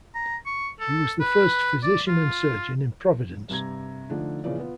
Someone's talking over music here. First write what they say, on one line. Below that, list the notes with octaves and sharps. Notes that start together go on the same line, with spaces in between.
He was the first physician and surgeon in Providence.
A#5
C#6
A4
B4
D5
F4
G2 C3 A#5 G#6
D3 F3 A3 D4 D#4
A#2 C#3 E3 F3 D5
B3 F4